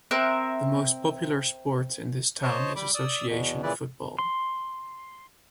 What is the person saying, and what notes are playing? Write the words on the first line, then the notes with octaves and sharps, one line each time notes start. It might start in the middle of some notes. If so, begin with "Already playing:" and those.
The most popular sport in this town is association football.
C4 A#4 E5 F#6
C5 C#5 D#5 A5
G3 B5 D6
D5 D#6 E6
E2 B2
A#2 C#3 E3 E4 B4 D5
C6